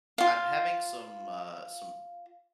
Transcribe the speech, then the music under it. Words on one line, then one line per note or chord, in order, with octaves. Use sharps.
I'm having some, uh some
F4 F5